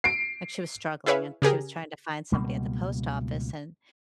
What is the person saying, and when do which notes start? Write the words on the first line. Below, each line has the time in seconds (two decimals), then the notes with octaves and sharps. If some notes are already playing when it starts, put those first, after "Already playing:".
like she was struggling, and she was trying to find somebody at the post office, and
0.04 C7 D7
1.06 E4 G#4 B4 C#5 E5 F5
1.42 C#3 G4 G#4 A#4
2.32 C#2 B2 G3 A#3